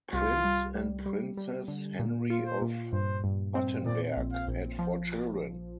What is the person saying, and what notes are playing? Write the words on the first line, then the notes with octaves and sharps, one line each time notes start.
Prince and Princess Henry of Battenberg had four children.
C2 F4
G3
G3
G3
G3
D3
A#2
F4
C5
A#2
G2 C5
G2
C4
A#2 D5
A#1
F5
A#1
F3